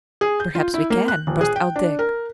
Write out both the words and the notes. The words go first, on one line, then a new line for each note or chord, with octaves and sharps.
"Perhaps we can!" burst out Dick.
G#4
G6
F4
E4
A#3
F#6
D#1
G#4
G5
D4
A#4